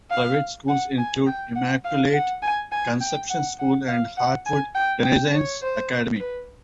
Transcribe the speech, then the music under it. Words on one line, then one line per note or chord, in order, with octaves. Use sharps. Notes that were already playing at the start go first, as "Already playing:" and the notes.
Private schools include Immaculate Conception School and Heartwood Renaissance Academy.
F5
F#5
G#5
G5
F#5
F5
F#5
G#5
G#5
G5
F#5
F#5
F5
F#5
G#5
G5
G5
C#5
C5
B4